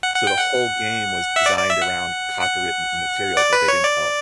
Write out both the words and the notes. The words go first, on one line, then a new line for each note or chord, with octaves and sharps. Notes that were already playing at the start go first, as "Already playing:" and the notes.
So, the whole game was designed around copywritten material that they didn't own.
F#5
F#5
G5
F#5
E5
D5
D5
E5
F#5
F#5
D5
B4
C#5
D5